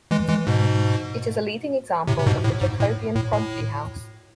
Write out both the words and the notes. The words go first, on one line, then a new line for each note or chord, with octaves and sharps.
It is a leading example of the Jacobean prodigy house.
E3 G#3
E3 G#3
G#2 B2
A2 C3
C3
G#2 B2
A2
G#2
A2
A2
A2